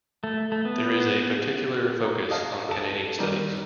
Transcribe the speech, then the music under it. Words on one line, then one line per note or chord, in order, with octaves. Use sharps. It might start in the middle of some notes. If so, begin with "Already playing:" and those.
There is a particular focus on Canadian studies.
A3
A3
B3
A#5
D#5 F5 A5
A4 A5
D#3 G3 D#4